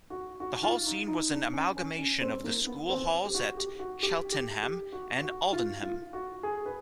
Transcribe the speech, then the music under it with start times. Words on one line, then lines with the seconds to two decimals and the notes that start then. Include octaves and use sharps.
The Hall scene was an amalgamation of the school halls at Cheltenham and Aldenham.
0.10 F#4
0.40 F#4
0.63 F4
0.86 D#4
1.08 D#4
1.31 D4
1.53 C#4
1.77 C#4
1.98 C#4
2.21 C4
2.44 A#3
2.67 B3
2.90 C4
3.26 G4
3.34 F#4
3.57 G4
3.79 F#4
4.03 G4
4.32 G4
4.63 G4
4.92 F#4
5.22 F#4
5.53 F4
5.82 F4
6.13 F#4
6.43 G#4
6.66 B4